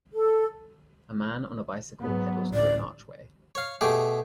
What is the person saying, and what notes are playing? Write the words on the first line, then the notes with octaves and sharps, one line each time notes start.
A man on a bicycle pedals through an archway.
A4
G#2 F#3 B3
A1 D2 A2 D5
C#5 F5
B2 A3 G4 G#4